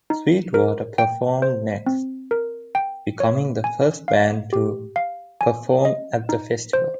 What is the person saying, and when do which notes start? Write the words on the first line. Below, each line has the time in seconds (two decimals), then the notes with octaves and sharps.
Sweetwater performed next, becoming the first band to perform at the festival.
0.10 D#4
0.54 A#4
0.98 G5
1.42 C5
1.87 C4
2.31 A#4
2.75 G5
3.20 C#5
3.64 G#5
4.08 F5
4.53 G4
4.96 F5
5.41 G#5
5.85 D#5
6.29 D#4
6.73 C5